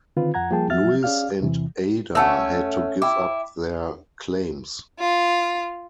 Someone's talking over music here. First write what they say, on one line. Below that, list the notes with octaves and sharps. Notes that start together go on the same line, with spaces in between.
Louis and Ada had to give up their claims.
D3 D#3 C4 F4 B4
F2 F3 F#5 A#5 G#6
F3 G3 A#3 G#4 G5 A5
F3 F#3 F#4 E5 F6 A6
C#4 G#4 D5 F5 F6
E2 C3 E3
A3 C#4 F#5 A5 E6
E4 G5 D6
F4